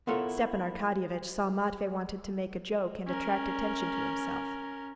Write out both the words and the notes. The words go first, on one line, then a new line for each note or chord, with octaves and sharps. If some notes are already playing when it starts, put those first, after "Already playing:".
Stepan Arkadyevitch saw Matvey wanted to make a joke and attract attention to himself.
B3 E4 F4 A4 A#4 C#5
C#4 A#4